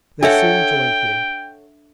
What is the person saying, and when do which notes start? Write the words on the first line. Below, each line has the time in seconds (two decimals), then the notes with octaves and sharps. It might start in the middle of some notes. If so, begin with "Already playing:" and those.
They soon joined me.
0.23 D4 A4 C#5 E5 F#5 G5